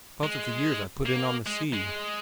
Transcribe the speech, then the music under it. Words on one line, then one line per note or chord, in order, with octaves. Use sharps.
Because of the years I put in on the sea.
G#3
A#3
G#3
G#3